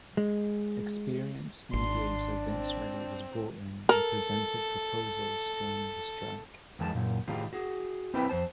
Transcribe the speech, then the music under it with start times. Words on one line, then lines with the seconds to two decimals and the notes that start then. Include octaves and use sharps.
Experienced mediator Vince Ready was brought in and presented proposals to end the strike.
0.17 G#3
1.73 G#1 D4 C6
2.48 C4
3.89 A4 A#4
6.79 F2 D#3 G#3 G#5 A5
6.95 F#2 A#2
7.28 A2 D#3 F4 G4 G#4
7.53 F#4 G#4
8.14 C4 E4 G4 B4 G5
8.29 F2 C5 A5